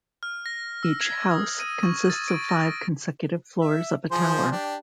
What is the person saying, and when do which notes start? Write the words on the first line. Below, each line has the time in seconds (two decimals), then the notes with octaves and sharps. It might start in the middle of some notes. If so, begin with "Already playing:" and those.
Each "house" consists of five consecutive floors of a tower.
0.23 F6
0.46 A#6
0.83 E6
1.01 G#6
1.31 D#6
1.60 D#7
1.83 C#6
2.10 A6
2.28 D7
2.49 A#6
3.61 E5
4.11 F3 G#4 C5
4.52 D4 G4